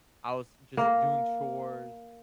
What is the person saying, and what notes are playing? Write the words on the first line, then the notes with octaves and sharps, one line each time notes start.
I was just doing chores
A#3